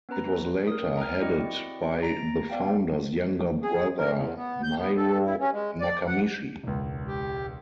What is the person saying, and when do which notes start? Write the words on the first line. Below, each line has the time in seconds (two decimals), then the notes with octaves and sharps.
It was later headed by the founder's younger brother Niro Nakamichi.
0.09 B3 C#4 B4 A#5
0.67 A#4 D#6
0.98 A#5 F6
1.21 C4 E4 F#4 D5 D#5 C#7
2.03 A#5 A6 A#6 D7
2.50 B3 D5 F5 G5
3.63 G#4
3.98 A#4
4.12 E2
4.36 B3
4.63 G6
4.78 B3
4.96 A4
5.25 E4
5.40 C#4
5.52 G#3
5.81 D5
6.07 F#5
6.63 E1 C#2
7.07 G4